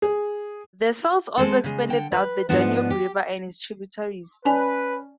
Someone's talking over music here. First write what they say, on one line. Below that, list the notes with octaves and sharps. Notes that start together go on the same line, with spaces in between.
The Celts also expanded down the Danube river and its tributaries.
G#4
G#3 C4 A4
C#3 G#3
D3 G5
B4
G#2 F3 B3 D4
G4
C#4 B4 D5 G#5 A5